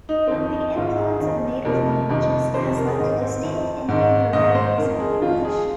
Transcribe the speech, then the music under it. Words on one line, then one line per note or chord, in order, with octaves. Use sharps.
The influence of native languages has led to distinct Indian varieties of English.
D#4
C4
F2 D#3 D#4
D#4
G#2 D#3 F4
G#4
F2 D#3
F2 C3 D#3 A#4
F2 C3 D#3
F2 C3 D#3 C5
A#4
G#4
G#2 D#3 D#4
C4
F2 D#3
G#2 D#3
G#2 D#3 D#5
C5
F2 D#3 A#4
G#4
F2 D#3 F4
G#4